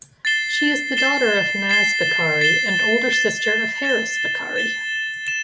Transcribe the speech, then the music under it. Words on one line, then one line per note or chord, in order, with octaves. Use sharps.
She is the daughter of Naz Bokhari and older sister of Harris Bokhari.
A6 C7 E7 G7
A6 C7 E7 G7
A6 C7 E7 G7
A6 C7 E7 G7
A6 E7 G7
A6 E7 G7
A6 E7 G7
E7